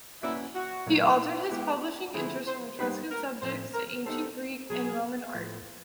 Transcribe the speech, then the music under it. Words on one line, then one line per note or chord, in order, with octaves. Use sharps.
He altered his publishing interests from Etruscan subjects to Ancient Greek and Roman Art.
A#3 C#4 E4 F#4 B4 D5
F#4
A#2 F#3 A3
G#3 B3 E4 G4
D3 F3 A3 C4 E4 G#4
C5
G3 A#3 D#4 G4 B4 C5
A#4
A2 F3 A3 C4 C5
A#4
B3 D#4 G4 A4 C5
B2 F#3 B3 G#4
A2 F3 A3